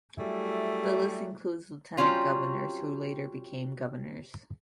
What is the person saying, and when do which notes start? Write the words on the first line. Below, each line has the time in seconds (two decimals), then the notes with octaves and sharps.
The list includes lieutenant governors who later became governors.
0.18 F#3 G3 A3 E4 G#4
1.97 F#3 G3 C4 C#4 F4